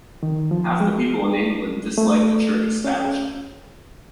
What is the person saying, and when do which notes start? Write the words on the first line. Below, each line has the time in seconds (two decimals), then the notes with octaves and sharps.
Half the people in England dislike the church establishment.
0.23 D#3
0.51 F3
0.80 G#3
1.98 A3
2.84 C#4